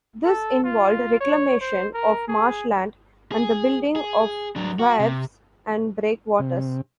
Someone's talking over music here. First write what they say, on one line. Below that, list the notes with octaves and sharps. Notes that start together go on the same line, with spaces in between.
This involved reclamation of marshland and the building of wharves and breakwaters.
A4
F4
C#5
C5
A#4
G#4
G#4
G#4
F#3 D4
F#4
C3
C3